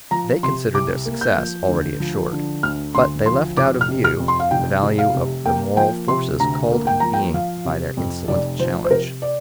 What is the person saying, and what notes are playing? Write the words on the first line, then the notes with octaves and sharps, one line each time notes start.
They considered their success already assured; but they left out of view the value of the moral forces called into being by their insolent challenge.
F3 A#5
C3 C6
C2 D6
A#3
G6
F3
D2
F3
D3
D2 F6
D2 C6
F3 C6
F1 D6
F6
C3
F6
F2
C6
F5
F1 G5
F1
F5
C3
A#3 G5
F3 G5
C3 C6
D2 A#5
A#3
G5
F3 A#5
G5
F3 F5
C3
F2
F1 D5
F3 C5
C5
C3 A#4
D5